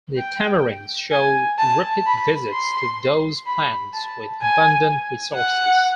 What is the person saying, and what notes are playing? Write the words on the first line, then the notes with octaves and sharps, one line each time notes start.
The tamarins show repeat visits to those plants with abundant resources.
G5
G#5
A5
B5
C6
B5
A5
G#5
F#5